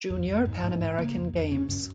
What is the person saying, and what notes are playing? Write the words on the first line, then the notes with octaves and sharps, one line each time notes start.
Junior Pan American Games.
F2
F2
G#2
G#2
G#2
C#3 A#3
F2
F2
C#3 C#4
F#2